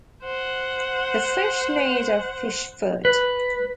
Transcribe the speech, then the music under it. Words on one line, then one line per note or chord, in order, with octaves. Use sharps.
The fish need of fish food.
C5 F#5
B4